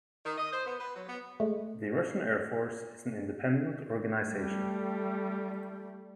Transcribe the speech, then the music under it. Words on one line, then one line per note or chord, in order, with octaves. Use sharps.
The Russian Air Force is an independent organization.
D#3
D#5
C5
B3
B4
F#3
B3
G#3 A3
C7
G3 A3